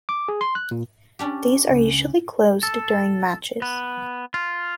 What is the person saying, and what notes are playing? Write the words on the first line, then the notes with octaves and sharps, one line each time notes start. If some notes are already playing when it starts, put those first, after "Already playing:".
These are usually closed during matches.
D6
G#4
C6
F#6
A#2
C#4 D4 G4
C#2 C#3
A4
B3
F4